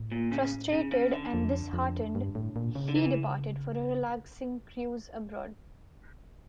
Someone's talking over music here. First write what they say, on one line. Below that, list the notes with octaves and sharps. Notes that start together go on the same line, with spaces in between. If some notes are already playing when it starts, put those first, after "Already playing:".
Frustrated and disheartened, he departed for a relaxing cruise abroad.
Already playing: A2
A#2
C#3
C#3
C#3
D3
F2
F2
G2
A2
A#2
C#3
D3
E3